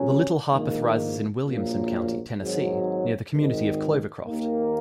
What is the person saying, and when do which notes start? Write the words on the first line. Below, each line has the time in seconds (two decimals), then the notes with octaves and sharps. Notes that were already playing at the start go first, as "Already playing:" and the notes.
The Little Harpeth rises in Williamson County, Tennessee near the community of Clovercroft.
Already playing: C#2 C3 F#3 C#4
0.50 A#1 G#2 D#3 A#3
1.45 A#1 A#2 F#3 A#3
2.39 G#1 G#2 F#3
3.32 G#1 G#2 D#3
4.26 D#2 D#3 A#3